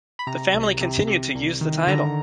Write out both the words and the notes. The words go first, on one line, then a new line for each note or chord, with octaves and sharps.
The family continued to use the title.
B5
C3 A#5
C2
C3
C3
C2
D#3
D3 A#5